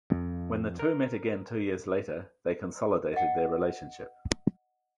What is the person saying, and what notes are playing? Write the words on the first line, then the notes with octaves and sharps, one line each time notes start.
When the two met again two years later, they consolidated their relationship.
F2
A#4
D#5 F#5